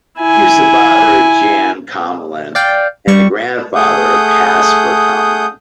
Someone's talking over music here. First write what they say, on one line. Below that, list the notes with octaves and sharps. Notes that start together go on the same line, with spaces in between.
He was the father of Jan Commelin and the grandfather of Caspar Commelin.
E4 G#5
D5 F5 G5
G3 C#6
A3 G#4 F#5 D#6 G6